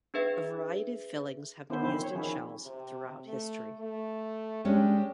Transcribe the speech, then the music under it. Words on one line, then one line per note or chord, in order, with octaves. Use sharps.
A variety of fillings have been used in shells throughout history.
D4 G#4 B4 E5
D#3 B3 C#4 E4 F4 C5
D#3 F3 C4 E4 C5
C#5
D#3 F3 C4 C#4 E4 G#4
C3
A3
A3
G#3 C#4 D4 G4